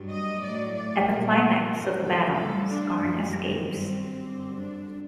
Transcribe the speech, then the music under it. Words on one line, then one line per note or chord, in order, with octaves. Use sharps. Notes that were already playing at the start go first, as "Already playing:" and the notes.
At the climax of the battle, Scarn escapes.
Already playing: G2 F#3
D#5
A2 F#3 D5
D5
A#2 G3 A#4
F#2 F#3 A#4
A4
A2 G3 A4
D4
F#2 D#3 G3
G2 F#3 C4
F#2 D3 G3
D4